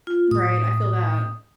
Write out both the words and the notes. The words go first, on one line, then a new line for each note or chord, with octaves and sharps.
Right, I feel that.
F4
A2 D#6